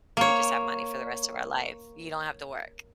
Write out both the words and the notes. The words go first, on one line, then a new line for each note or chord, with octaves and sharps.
we just have money for the rest of our life, you don't have to work."
A#3 C#5